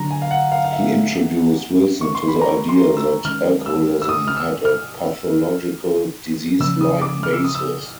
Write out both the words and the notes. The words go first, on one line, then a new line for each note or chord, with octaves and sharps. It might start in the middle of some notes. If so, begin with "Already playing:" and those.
He introduced Wilson to the idea that alcoholism had a pathological, disease-like basis.
Already playing: D3 F#3 A#3 D4 A#5
G#5
F5
F#5
F5
F5
E5
C#6
C6
B5
A#5
C6
E6
D#3 G#3 C#4 F6
E6
E6
D#6
F6
E6
F6
C#3 F3 A#3 C#4 E6
D#6
D6
F6
E6
D#6
E6